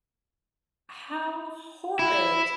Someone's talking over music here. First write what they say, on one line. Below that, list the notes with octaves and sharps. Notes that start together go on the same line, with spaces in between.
How horrid.
E4